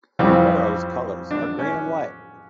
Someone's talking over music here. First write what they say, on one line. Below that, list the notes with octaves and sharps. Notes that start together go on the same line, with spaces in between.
Beroes colours are green and white.
F2 C#3 E3 G3 C4
D4
C#4